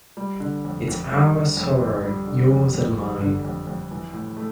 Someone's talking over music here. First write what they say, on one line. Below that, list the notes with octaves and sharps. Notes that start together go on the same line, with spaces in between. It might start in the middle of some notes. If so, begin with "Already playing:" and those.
It’s our sorrow — yours and mine.
G3
D3
F2
F2
G3
D3
F2
F2
G3
D3
F2
F2
G3
D3
F2
F2
E3
A2
A3